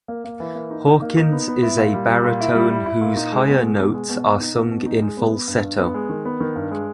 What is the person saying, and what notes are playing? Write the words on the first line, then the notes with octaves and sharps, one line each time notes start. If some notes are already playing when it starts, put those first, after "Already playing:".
Hawkins is a baritone whose higher notes are sung in falsetto.
A#3
A#3
E3
A#3
D#4
D#4
A#3
D#4
B3
B3
E4
A#2
G3
G3
A#2
E4
G3
E4
E4
A#2
D#4
G#3
B2
G#3
B2
G#3
B2
B2
D#4
B2
B2
D#4
G#3
B3
B3
G2
G2
B3
G#3
D#3
B3
D#3
G2
G#3